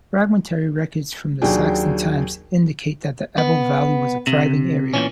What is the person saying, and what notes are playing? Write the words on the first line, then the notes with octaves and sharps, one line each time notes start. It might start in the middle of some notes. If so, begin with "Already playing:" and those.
Fragmentary records from Saxon times indicate that the Ebble valley was a thriving area.
D#2 F#3 D4 G#4 G5
B3
C3
A#2 E3 C#4